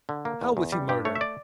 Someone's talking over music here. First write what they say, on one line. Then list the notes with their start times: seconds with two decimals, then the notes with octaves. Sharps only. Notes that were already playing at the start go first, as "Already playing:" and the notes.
How was he murdered?
0.09 D3
0.25 A#3
0.41 E2
0.57 E2
0.72 G3
0.89 G2 G4
1.05 A3 C#5
1.15 E5
1.21 D5